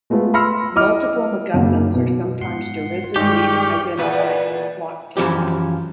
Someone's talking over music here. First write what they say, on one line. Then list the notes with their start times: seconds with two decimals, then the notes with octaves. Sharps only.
Multiple MacGuffins are sometimes derisively identified as plot coupons.
0.10 G#3 A3 B3 F4 G#4 A4
0.34 B5 C6 E6 F6 A#6 C#7
0.75 E4 D#5 D6 F6
1.54 F#2 C#3 A#3
1.94 B2
2.41 G#2 F#5 C6
3.16 G2 D#3 G#3 G4 D5 G5 C#6 F6
3.98 E2 A#2 B4
5.17 F#2 E3 F3 G4